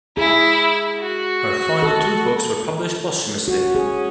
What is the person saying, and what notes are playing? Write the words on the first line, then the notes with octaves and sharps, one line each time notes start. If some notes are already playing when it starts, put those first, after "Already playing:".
Her final two books were published posthumously.
E4 G#4
F#4
A4
C#4 F#4
G#4